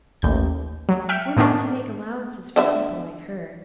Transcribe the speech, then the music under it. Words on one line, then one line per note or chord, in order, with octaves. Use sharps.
One has to make allowances for people like her.
A1 D#2 G6
F#3
E5 G5 F6 G6 C#7
A2 D#3 B3 C#4 D4
D3 B3 E5